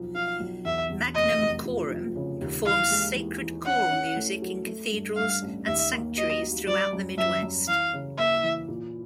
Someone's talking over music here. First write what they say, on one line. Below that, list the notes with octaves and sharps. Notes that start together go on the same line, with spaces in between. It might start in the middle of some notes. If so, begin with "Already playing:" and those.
Magnum Chorum performs sacred choral music in cathedrals and sanctuaries throughout the Midwest.
Already playing: B1 F3
F3 F5
B1
E2 E5
E2
F1 D#5
F1
F3
F3
C#3
D#2
E3 F5
G#3
E3
E3
C#4 F#5
C#4
A3
F#3
A3
G2
G2 F5
A1
D#2 E5
A#3
F#3 D#5
F#3
G3 D5
F#2
F#2 E5
F#2
E3 F5
C#3
A#3 E5
E3
A#2